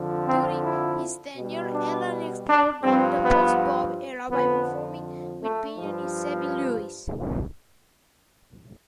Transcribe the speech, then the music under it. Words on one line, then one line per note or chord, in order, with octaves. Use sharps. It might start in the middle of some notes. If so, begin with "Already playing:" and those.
During his tenure, Alan explored the post-bop era by performing with pianist Sabby Lewis.
Already playing: F2 D3 F3
C4
E4
B2 G3
D4
D4
G2 F3 C4
B3
F2 D3 F3 B3
A3
G2 F3